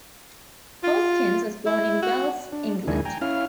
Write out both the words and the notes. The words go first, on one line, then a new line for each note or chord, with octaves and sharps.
Hoskins was born in Wells England.
F4
E4
F#4
D4
D#2 D#3 G#3 D4 E4 G#5
G5 G#5 A#5
C#4 E4 F5 F6